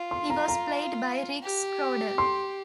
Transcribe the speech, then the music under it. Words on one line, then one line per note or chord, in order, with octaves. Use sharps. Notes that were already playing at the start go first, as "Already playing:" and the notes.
He was played by Rick Schroder.
Already playing: F4
C6
A#5
A#5
G4
C6